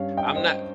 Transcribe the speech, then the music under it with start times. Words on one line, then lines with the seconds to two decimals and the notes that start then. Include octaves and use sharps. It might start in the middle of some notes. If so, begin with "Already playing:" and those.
I'm not
Already playing: G2 G3 C#4 C#5 F5
0.17 D#5 G5
0.35 C5 D#5